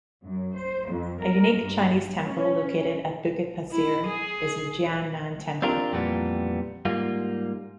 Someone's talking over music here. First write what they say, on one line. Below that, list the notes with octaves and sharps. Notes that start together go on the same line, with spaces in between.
A unique Chinese temple located at Bukit Pasir is the Jian Nan Temple.
F#2
C5
F2
A#4
G2
C#4
E4
G#4
C4 D4 F4 G4 A#4
F2 A#2 E3 G3 B3
G#2 G3 A#3 F4